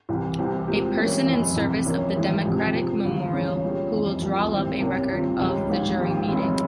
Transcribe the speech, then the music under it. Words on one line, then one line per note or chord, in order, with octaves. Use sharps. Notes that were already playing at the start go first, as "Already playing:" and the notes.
A person in service of the Democratic Memorial who will draw up a record of the jury meeting.
C2 C3 E3 G3
C2 C3 E3 G3 C4
A#2 G#3 C4 G4
G2 E3 A#3 C#4 E4
F1 F2 E3
C2 C3 E3
F2 E3 A#3 C#4 E4
G#1 G2 E3 G#3 E4
F2 C3 F3 C4 G4
C3 F3 G#3
G1 G2 E3
C#2 C#3 E3
A#2 G3 C#4
F1 F2 E3
C2 A#2 G3
G#1 G2 G3 C4 E4
C2 C3 G3 A#3 C#4
G#1 G2 F3 C4 F4
C#2 C#3 G3
A#1 G#2 G3
G#1 G#2 G3
F1 F2 C#3